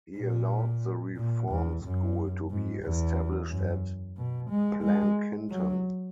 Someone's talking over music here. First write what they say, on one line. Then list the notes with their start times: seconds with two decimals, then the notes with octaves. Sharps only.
He allowed the reform school to be established at Plankinton.
0.16 A#2
1.17 A#2
1.50 E2
1.83 F#2
2.50 G#2
2.83 E2
3.50 F#2
4.17 B2
4.50 G#3
4.83 G#3
5.50 F#3